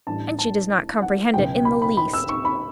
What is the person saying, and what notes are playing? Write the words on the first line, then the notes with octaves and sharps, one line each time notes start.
"And she does not comprehend it in the least."
A1 A2 G3 D4 A5
A5
F#5
C#2 B2 F#3 G5
B5
B5
B5
E6
C#6
B5